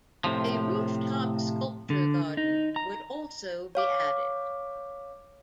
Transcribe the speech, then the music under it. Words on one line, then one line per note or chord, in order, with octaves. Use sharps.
A rooftop sculpture garden would also be added.
A2 C3 F3
D3
D#4
A#5
C#5 F5 D6